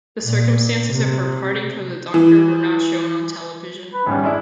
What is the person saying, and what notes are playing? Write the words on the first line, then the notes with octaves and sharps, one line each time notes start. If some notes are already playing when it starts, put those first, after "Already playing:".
The circumstances of her parting from the Doctor were not shown on television.
A#2
C3
E3
B4
G#1 G#2 G3 C#4
G#3 D4 E4